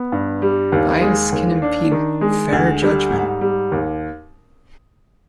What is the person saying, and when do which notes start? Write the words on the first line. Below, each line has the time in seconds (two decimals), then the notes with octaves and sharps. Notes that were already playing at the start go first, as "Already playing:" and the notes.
Bias can impede fair judgment.
Already playing: B3
0.12 G2
0.42 G3
0.72 D#2
1.01 G#3
1.32 D#2
1.62 D4
1.92 D#3
2.21 G#3
2.52 D2
2.82 G3
3.11 G#2
3.41 G3
3.72 D#2